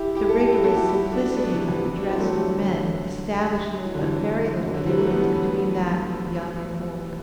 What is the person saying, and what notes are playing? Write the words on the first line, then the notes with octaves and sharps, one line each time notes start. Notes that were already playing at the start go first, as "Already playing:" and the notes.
The rigorous simplicity of the dress of men establishes but very little difference between that of young and old.
Already playing: E4 G4
E4 G4
A4
E4 G4
E4 G4
F#4 A4
E4 G4
E4 G4
D4 F#4
B3 D4
C3 E3
C3 E3
D4 F#4
C4 E4
F#3 A3
E3 G3
D3 F#3
F#3
E3
D3
C3 E3
D3 F#3
E3 G3
F#3 A3
G3 B3
E3 G3